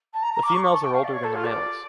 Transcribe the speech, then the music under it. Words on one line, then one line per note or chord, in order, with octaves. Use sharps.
The females are older than the males.
A5
A#5
A#5
D6
C#6
C#6
A5
G5
F5
D5
C#5
A4
F4
D5